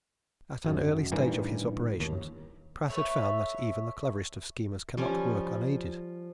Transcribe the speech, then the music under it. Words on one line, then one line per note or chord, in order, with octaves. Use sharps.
At an early stage of his operations, Pratt had found that even the cleverest of schemers cannot work unaided.
G#1 F#2
A1 G2 D#3 E3
D#2
A3 B4 C#5 E5
F3 G3 C#4 G#5